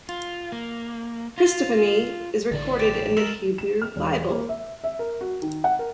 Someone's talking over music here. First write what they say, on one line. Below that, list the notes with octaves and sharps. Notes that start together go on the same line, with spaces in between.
Christophany, is recorded in the Hebrew Bible.
F4
A#3
F4
A1 E2 A2 D3 E3 D5 A6
G4 A6 D7 E7
G#3 A#4 E6 E7 F#7
E7
F6
E1
A#3
E5
E5
A#4
F#4
D#3
F#5
A#4